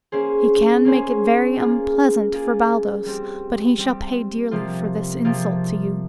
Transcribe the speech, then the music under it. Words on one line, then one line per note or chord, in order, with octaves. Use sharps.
He can make it very unpleasant for Baldos, but he shall pay dearly for this insult to you.
A#3 C#4 G#4 C5
A#3 C#4 G#4 C5
A#3 F4 G#4
A#3 F4 G#4
G3 C4 G4
G3 C4 G4
C3 F3 A#3 F4
C3 F3 A#3 F4